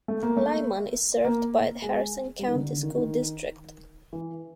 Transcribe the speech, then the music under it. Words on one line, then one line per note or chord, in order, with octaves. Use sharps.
Lyman is served by the Harrison County School District.
A3
A#3
A3
A#3
G#3
G3
D#3
D3
D3
D#3
D#3
E3